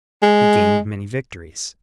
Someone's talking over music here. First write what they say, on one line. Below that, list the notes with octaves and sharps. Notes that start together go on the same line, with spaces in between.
He gained many victories.
G#3